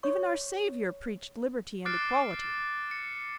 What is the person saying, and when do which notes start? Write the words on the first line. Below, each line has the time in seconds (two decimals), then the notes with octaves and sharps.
Even our Saviour preached liberty and equality.
0.03 C#5 C#6
1.85 D6 F6 F#6 A6 C7 D7
2.91 C#7